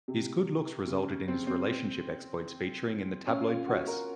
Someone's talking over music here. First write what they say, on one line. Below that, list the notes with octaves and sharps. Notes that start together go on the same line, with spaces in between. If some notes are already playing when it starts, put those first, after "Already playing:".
His good looks resulted in his relationship exploits featuring in the tabloid press.
C3
C#3
C4
C4
C4
C#4
F4
F#4
A#4